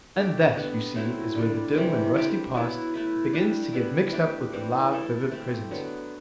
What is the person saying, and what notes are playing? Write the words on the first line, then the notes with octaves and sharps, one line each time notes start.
And that, you see, is where the dim and rusty past begins to get mixed up with the live, vivid present.
A3 D4 G4
D3 G3 B3
F#3 A3 C4 E4
D3 G3 D4
C3 E3 G3 C4
D3 G3 C4 G4
F#3 B3 E4
A3 E4 B4
G3 D4 G4
G3 B3 E4
A3 D4 G4 B4
E3 G3 C4
E3 A3 E4 A4
A3 C4 G4
D3 F#3 B3